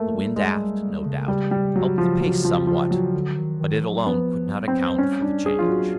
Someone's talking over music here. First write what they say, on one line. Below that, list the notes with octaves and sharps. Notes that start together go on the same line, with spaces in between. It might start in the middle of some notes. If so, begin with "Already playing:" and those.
The wind aft, no doubt, helped the pace somewhat, but it alone could not account for the change.
Already playing: A3 A#3
G3
G3 G#3
G3
G3
C#3
G3
G3
F#3
F3
F#3
F3
F3
F#3
D3
D#3
D#3
F3
F#3
F3 B3
F#3
G3
F#3 C4
G3 C#4
G3 D4
G3 G#4
F3 F4
F#3 F#4